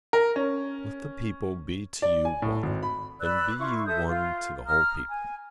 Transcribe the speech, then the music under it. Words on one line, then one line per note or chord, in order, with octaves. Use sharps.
Let the people be to you one, and be you one to the whole people.
A#4
C#4
D5
G#5
A2
G#1
B5
B4 D5 E6 F#6
E4 F4 C#6
A4 E5 D#6 G6
F4
A#5 D#6 F6
G#5